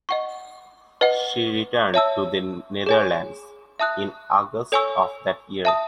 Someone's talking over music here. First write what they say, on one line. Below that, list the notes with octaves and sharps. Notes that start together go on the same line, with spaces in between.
She returned to the Netherlands in August of that year.
D#5 F#5 C#6
B4 D#5 F#5
C#5 E5 A5 E6
G#4 C#5 G#5
E5 A5 D#6 F#6
A4 C#5 G#5 C#6 E6
E5 A5 D#6